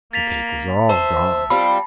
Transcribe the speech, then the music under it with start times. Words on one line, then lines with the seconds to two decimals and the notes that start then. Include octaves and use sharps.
The cake was all gone!
0.13 A#3 A6 B6 F7
0.89 C5 E5 A5
1.50 G3 C4 F4 B5